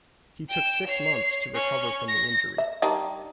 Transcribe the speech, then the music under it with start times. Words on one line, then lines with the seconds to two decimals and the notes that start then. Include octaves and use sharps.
He took six months to recover from the injury.
0.49 G5 E7
0.87 C#5 C7
1.54 C#4 C#6
2.08 A#6
2.58 E5
2.82 D#3 G3 D4